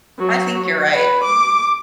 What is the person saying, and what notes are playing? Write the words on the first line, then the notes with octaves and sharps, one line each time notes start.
I think you're right.
F#3
B4
D6